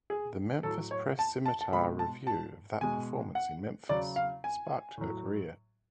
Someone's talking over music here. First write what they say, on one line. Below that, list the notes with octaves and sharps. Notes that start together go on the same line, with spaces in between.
The "Memphis Press-Scimitar" review of that performance in Memphis sparked her career.
G#4
A2 F#3 A4
C#5
A5
A5
A5
B2 G#3 B5
A5
A5
B2 G#3 G#5
F#5
C#3 F#3 D5
F5
G#5
A2 F#3